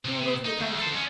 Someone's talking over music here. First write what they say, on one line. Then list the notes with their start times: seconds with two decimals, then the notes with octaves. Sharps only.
"She will go to the country."
0.05 C3
0.45 D#4
0.59 D2
0.79 A4 C5
0.92 F2 C#4